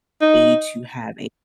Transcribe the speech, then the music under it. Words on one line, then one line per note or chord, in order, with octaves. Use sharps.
stage to have a
D#4